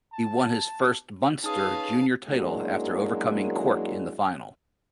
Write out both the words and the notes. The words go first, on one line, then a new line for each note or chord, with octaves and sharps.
He won his first Munster Junior title after overcoming Cork in the final.
A5
C#4 D#4 G#4 B4 F5 A5 D#6
F#2 F#3 G#3 A#3 D4 E4